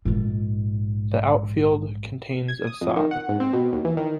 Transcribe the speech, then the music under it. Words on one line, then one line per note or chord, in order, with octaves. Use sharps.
The outfield contains of sod.
A#1 G#2
G#6
D#6
F2
D#3
F#5
G#2
C4
B2
D#2
E3
D#3